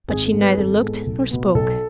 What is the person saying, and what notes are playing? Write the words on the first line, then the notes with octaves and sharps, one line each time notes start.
But she neither looked nor spoke.
G#1 G#4
A4
G#2 G#3 B3
B4
G#4
G#1 A4
G#2 G#3 B3
B1
B2 B3
B1 A4